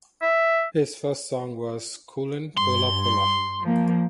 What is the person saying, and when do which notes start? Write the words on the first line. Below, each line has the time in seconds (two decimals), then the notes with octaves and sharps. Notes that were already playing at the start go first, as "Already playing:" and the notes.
His first song was "Kullen Pola Pola".
0.22 E5
2.57 G2 C6
3.61 F3 A#3